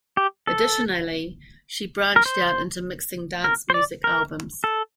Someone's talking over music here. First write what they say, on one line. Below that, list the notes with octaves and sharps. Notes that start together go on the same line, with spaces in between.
Additionally, she branched out into mixing dance music albums.
G4
A4
A#4
C5
A#4
C5
D5
A#4
A4